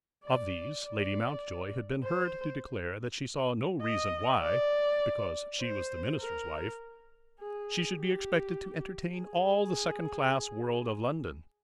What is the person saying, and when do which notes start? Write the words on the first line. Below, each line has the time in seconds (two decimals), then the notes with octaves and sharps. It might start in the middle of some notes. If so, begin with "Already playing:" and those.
Of these Lady Mountjoy had been heard to declare that she saw no reason why, because she was the minister's wife, she should be expected to entertain all the second-class world of London.
0.24 D5
0.84 D5
2.04 C5
3.82 D#5
4.42 D5
5.61 C5
6.20 A#4
7.39 G#4
7.99 G4
9.19 G#4